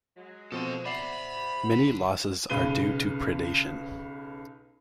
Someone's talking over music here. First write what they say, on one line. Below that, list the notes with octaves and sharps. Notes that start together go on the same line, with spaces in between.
Many losses are due to predation.
F#3 G#3
B2 F3 C4 A4 C6
C5 D5 E5 F#5 B5 C7
D3
B1 C#3 B4 D#7 G7